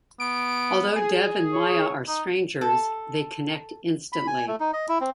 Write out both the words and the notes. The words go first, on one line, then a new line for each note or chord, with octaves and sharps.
Although Dev and Maya are strangers, they connect instantly.
B3 D7
G#4
C#5
D#4
A4
B5
G#5
A3
D#4
D#5
E4
C4